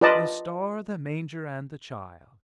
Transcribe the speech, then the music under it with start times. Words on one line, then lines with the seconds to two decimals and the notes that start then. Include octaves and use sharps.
"The star, the manger, and the Child!"
0.01 F4 B4 D5 D#5 A5